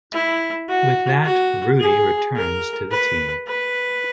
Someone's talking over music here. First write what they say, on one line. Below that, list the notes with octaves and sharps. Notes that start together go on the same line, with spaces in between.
With that, Rudy returns to the team.
E4
F#4
F#4
G#4
A#4
B4
B4